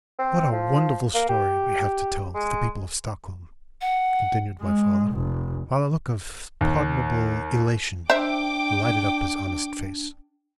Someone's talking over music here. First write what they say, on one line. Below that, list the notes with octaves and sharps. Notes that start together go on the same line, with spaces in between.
"What a wonderful story we have to tell to the people of Stockholm," continued my father, while a look of pardonable elation lighted up his honest face.
C4
F3
A#3
G4
G#3
F#5
G#3
F1
D#2
D4 C5 E5 G5 D6